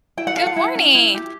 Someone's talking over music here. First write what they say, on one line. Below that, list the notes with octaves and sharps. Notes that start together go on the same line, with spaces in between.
Good morning.
E4 G5
F#5
A4 F5
F#5
E4
C#4
E4
G4